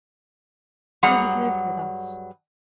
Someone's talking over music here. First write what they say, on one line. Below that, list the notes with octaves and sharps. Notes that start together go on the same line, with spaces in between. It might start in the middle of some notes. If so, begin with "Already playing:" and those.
You have lived with us.
G2 F#3 G3 G#4 F#5 A#5